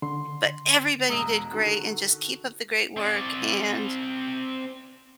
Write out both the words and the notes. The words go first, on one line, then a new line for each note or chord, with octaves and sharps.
but everybody did great and just keep up the great work," and
D3 C6
E1 G#3 A#5 D#6 E6
D3 D#3 F#4
C4 D5